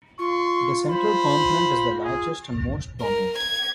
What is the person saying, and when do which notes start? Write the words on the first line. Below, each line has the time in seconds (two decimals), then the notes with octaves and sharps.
The central component is the largest and most prominent.
0.19 F4 C6 C#6
0.89 C5 B5
2.04 G#4
3.01 A#4
3.38 G#6